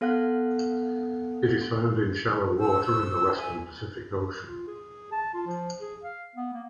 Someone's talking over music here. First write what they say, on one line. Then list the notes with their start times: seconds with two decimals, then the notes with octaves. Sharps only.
It is found in shallow water in the western Pacific Ocean.
0.01 B3 A4 F5 F#5 F#6
2.59 C5 E6
3.37 D2 E5 G#5
4.48 F4
4.67 G#4
5.12 A5
5.34 F4
5.47 F3
5.81 G#4
6.03 F5
6.36 B3
6.53 A#3